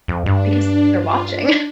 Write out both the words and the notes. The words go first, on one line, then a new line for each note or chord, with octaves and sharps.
Because they're watching.
F2
G2 D4
F4
D4